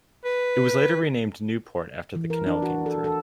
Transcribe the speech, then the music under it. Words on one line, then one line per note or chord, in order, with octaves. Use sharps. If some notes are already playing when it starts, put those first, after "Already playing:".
It was later renamed Newport after the canal came through.
B4
E3
A#4
D4
F#4
A4
A4